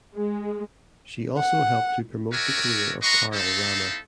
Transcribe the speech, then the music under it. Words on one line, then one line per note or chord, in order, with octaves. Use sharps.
She also helped to promote the career of Carol Rama.
G#3
F#5
F#4 A#4 C#5 D5 E5 G#5
F#4 B4 D#5 A#5 C6 C#6
C4 D#4 E4 A4 E5 F5